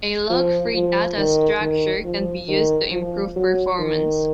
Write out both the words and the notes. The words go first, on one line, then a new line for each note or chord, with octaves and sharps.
A lock-free data structure can be used to improve performance.
F3
F3
D#3
D#3
F3
D#3
F3
F#3
D#3